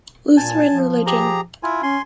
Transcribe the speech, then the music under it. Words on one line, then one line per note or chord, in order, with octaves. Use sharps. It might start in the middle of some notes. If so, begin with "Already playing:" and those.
Lutheran religion.
A#2 G#5 A5
F3
G4 G#4 A#5
E4 F4 G#5
C#4 G#5 C6